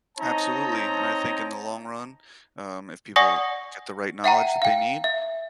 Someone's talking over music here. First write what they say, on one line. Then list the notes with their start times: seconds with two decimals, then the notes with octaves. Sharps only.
Absolutely, and I think in the long run, um, if people get the right knowledge that they need,
0.18 C4 D#4 C#5 D#5 A5 A#5
3.16 D5 F#5 G#5 C#6 D#6 A#6
4.24 E5 F#5 G5 A#5
4.62 F5 G5
5.04 E5